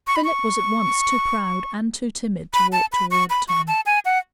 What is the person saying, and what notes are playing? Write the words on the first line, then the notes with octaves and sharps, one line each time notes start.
Philip was at once too proud and too timid to walk toward Tom.
C#6
B5
C#6
B5
A5
B5
C#6
B5
C#6
A5
G#5
F#5